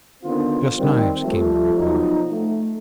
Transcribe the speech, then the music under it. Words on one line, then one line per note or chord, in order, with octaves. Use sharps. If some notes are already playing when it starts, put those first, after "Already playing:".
"Just knives," came the reply.
D3 D#3 B3 C4 D4 F4
D#3 G3 C4
F3 G3 A3
B2 F3 F#3 D#4
A3